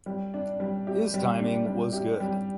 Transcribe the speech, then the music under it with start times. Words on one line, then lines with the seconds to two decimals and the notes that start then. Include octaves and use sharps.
His timing was good.
0.06 G3
0.34 D4
0.60 G3
0.87 G4
1.14 G3
1.40 D4
1.66 G3
1.93 G4
2.20 G3